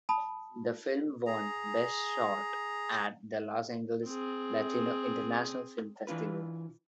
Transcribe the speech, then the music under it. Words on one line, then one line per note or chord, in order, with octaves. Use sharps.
The film won Best Short at the Los Angeles Latino International Film Festival.
A5 B5 D#6
G#4 A#5
C4 G#4
E3 D4 F4 B4